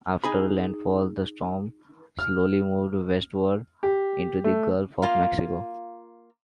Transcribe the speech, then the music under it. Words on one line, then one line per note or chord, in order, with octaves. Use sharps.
After landfall, the storm slowly moved westward into the Gulf of Mexico.
D#4 G#4 B5
F6
G4
A3
A#3 F4 F5